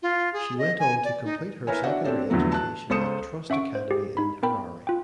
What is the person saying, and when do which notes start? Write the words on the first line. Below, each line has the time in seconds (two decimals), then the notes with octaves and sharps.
She went on to complete her secondary education at Trust Academy in Harare.
0.02 F4
0.33 G#4
0.58 D#5
0.79 G#5
1.04 D5
1.24 D#4
1.67 E4 A#4 B4 C#5 G#5
1.84 D4 F#4 E5 F#5
2.04 C4 D4 G4 A4 C#5
2.30 E2 D3 F3 F#3 A3
2.52 A5 F#6
2.90 C#2 A4 C5 D#6 C#7 E7
3.50 C#4 E5 F#5 C#6 D7
3.75 C5
3.91 G4 G#4
4.17 D#4 B5
4.43 B3 A#4 G5 B5
4.87 F4 G5